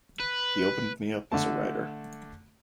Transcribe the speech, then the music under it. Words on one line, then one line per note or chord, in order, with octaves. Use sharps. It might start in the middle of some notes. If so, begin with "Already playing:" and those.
He opened me up as a writer.
B4
D3 A3 A5